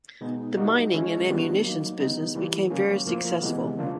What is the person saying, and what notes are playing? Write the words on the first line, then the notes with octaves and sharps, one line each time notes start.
The mining and ammunitions business became very successful.
B2 G#3 B3 D#4
G3 A#3 D#4 F#4
E3 G#3 C#4 E4
D#3 G3 B3 D4 F#4
F#3 A#3 D#4
C#3 E3 G3 B3 D#4
E3 G3 A#3
C#3 F#3 A#3 C#4
A2 F3 A#3
C3 E3 G#3 B3
C#3 F3 A#3 D4 F4